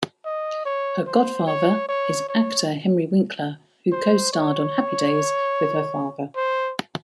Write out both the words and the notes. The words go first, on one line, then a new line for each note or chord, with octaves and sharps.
Her godfather is actor Henry Winkler, who co-starred on "Happy Days" with her father.
D#5
C#5
C5
C#5
C#5
C#5
C5
C#5
C5